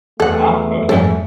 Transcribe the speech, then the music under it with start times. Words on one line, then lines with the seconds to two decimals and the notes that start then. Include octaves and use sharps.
Wow, okay.
0.20 E2 A3 A4 F#5
0.89 F2 G#2 A4 F#5